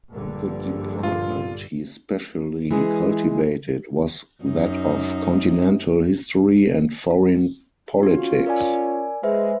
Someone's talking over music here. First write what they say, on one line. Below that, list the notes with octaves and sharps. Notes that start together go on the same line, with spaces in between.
The department he specially cultivated was that of continental history and foreign politics.
A#1 G2 D3
F4
E3 G#3 G#4
F#2 D#4
C#4 F4 F#4
A#4 D5 G#5
G#3 B4 C5 E5